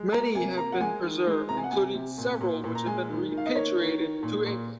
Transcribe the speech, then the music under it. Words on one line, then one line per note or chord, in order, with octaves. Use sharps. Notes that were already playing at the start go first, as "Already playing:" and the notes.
Many have been preserved, including several which have been repatriated to England.
Already playing: G#3
A#3 A#5
C3 G#5
A#3 A#5
F#5
G#3 G#5
D#3
G#3
C3 A#5
G#5
F#5
C3 G#5
C3
A#2
A#2
A#2
A#5
G#3 G#5
D#3
D#3
F5
D#5
A#3 C#5
D#3
D#3
A#2
A#2